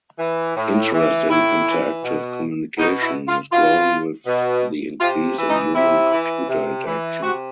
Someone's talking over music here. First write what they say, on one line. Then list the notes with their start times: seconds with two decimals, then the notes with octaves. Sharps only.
Interest in interactive communication has grown with the increase in human-computer interaction.
0.19 E3
0.56 A2
0.93 E3
1.30 A2 E4
1.67 E3
2.04 B2
2.78 B2 D#4
3.02 E4
3.28 F4
3.52 B2 F4
4.27 B2
5.00 C3 F4
5.37 E3
5.49 D#4
5.74 C3 E4
6.11 E3
6.49 C3
6.86 E3
7.23 C3 F#4